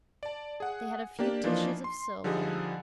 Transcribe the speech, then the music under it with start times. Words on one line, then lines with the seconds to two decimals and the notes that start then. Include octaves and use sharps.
They had a few dishes of silver.
0.23 D5 A5
0.60 G#4 F#5
1.19 A#3 D4 G4 D5
1.44 E3 F3 A#3 D4 D#4 F4
1.84 C6
2.24 D3 F3 G3 D#4 G#4 A4